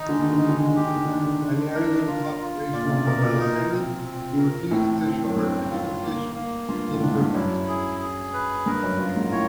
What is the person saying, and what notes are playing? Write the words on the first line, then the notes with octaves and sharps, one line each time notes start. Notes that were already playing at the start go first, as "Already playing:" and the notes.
An Arizona cop racially profiles Sandi, who refuses to show her identification in protest.
Already playing: D#3 D#4
D3 G#3
D#3
D3
D#3 G#3
D3
D#3
D3
D#3 G4
D3
D#3
D3 D4
D#3
D3
D3 D4
A#4
F4
F4
A#2 D5
C#3
C3
B2 A#4
A#2
A#2 D#4
C4
C4
A#4
A2 C4
C4
F#2
G2 C4
F4
A#3
A#3
G2 F4
A2
D4
G#2
G2
F#2 E4
G#4
G#4
B4
G2 A#4
F#2
F#2 F4
G#2
A2 C#5